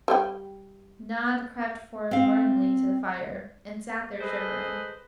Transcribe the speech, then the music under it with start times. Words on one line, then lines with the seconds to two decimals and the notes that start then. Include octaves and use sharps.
Nod crept forlornly to the fire, and sat there shivering.
0.08 G3 C5 G5
2.11 C4 F5
4.20 G#4 A4 B4 C5 D#5